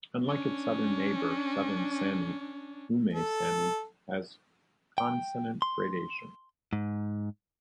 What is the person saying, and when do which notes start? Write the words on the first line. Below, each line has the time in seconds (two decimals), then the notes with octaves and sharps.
Unlike its southern neighbor Southern Sami, Ume Sami has consonant gradation.
0.24 C#4 D4
3.13 A4
4.98 G5
5.62 C6
6.73 G#2